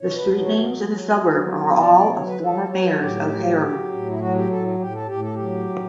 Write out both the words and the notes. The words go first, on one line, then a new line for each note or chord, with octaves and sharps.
The street names in the suburb are all of former mayors of Harare.
B2 C#5
B4
F#3
C#5
F#3
F#3
F#3
B2
F#3 D5
D5
F#3 C#5
B4
F#3 A4
F#3 C#5
B4
A4
A2 G4
F#3
F#3
A2
E4
F#3 F#4
G4
A2 A4
A2 G4
A4
A2 G4
A4
F#3 G4
A2